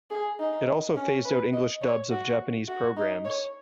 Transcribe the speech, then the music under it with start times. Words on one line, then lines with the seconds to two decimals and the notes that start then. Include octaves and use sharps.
It also phased out English dubs of Japanese programs.
0.10 G#4
0.39 D#4
0.96 C#4
1.25 B4
1.53 D#5
1.82 C#5
2.11 F#4
2.68 F#4
2.97 D#4
3.25 C#5